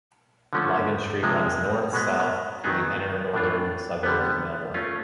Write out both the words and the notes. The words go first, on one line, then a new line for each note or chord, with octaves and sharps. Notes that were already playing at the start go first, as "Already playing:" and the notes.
Lygon Street runs north-south through the inner northern suburbs of Melbourne.
D3 F3 A3 C#4
C3 F3 G#3
B2 G#3 B3
D#3 F#3 B3 D#4 G#4
A2 E3 A3 D4 F4
D3 G3 B3
A3 C#4 F4